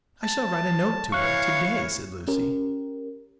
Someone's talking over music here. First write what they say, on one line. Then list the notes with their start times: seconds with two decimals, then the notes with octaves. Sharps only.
"I shall write a note to her to-day," said Lucy.
0.23 A5
1.12 E3 C#5 F5 C#6 F#6
2.28 C#4 G4 A#4